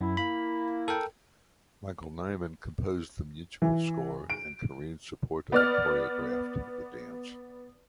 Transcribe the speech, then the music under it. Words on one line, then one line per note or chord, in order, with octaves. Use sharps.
Michael Nyman composed the musical score and Karine Saporta choreographed the dance.
F#2 E4
A#3 E4 B5
A4 A#4 G5
E3
D7
B3 D5 F6